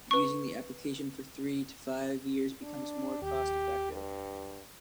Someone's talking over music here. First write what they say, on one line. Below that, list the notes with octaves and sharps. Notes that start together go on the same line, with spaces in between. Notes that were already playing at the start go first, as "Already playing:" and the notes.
Using the application for three to five years becomes more cost-effective.
B4 C#6
D4
D#2 G4
G2